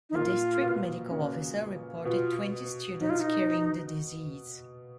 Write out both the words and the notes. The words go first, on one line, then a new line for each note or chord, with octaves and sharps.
The district medical officer reported twenty students carrying the disease.
D#4
A#2 A#3 F4
B2 B3
C#3 C#4
B2 B3 F4
B2 B3 D#4
F4
D#4